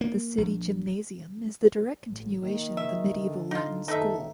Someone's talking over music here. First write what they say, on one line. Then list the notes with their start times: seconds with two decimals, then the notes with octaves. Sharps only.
The city Gymnasium is the direct continuation of the medieval latin school.
0.01 A#3
0.38 A#1
2.10 A1
2.44 D#3 A#3
2.77 C#3 E5
3.17 D3
3.51 D#4 F4
3.88 F#1 D#3 D#4 A4 B4 E5